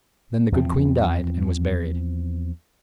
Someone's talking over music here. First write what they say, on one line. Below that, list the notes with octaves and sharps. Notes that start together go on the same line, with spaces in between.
Then the good queen died, and was buried.
E2 F3 A3 C4